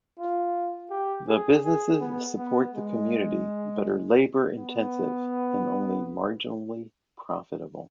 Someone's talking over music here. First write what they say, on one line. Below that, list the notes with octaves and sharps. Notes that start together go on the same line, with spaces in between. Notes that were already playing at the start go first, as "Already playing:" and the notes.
The businesses support the community but are labor-intensive and only marginally profitable.
F4
G4
G#4
G#4
B3
B3
G#3
B3